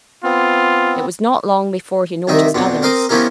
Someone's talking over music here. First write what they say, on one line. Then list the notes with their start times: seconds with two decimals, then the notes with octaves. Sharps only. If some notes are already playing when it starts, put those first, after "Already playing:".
It was not long before he noticed others.
0.24 B3 C4 F4
2.27 C2 D#3 D#4 E5
2.54 F2 B2 D4
2.82 C4 A#4 C6 D6 D#6
3.09 F3 B3 C#4 E4 G4 A#4